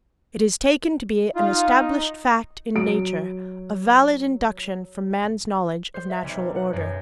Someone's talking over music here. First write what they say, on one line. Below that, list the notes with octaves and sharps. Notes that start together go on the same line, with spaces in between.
It is taken to be an established fact in nature, a valid induction from man's knowledge of natural order.
D#4 F4
F#3 D7
C5
E5
B1
F#5
F#2